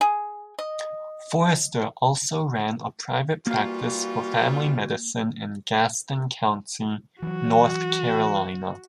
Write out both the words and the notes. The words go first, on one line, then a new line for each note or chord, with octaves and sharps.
Forrester also ran a private practice for family medicine in Gaston County, North Carolina.
G#4
D#5
E3 G3 A#3 F4 F#4 F5
E3 F#3 F#4